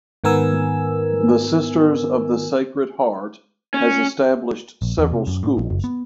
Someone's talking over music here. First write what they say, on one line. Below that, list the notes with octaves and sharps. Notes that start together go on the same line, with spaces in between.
The Sisters of the Sacred Heart has established several schools.
G#2 D#3 B3 A#4 G#5 E6
C#4
A#1
E2
C3
F#2
A2
A#1
F#1
B3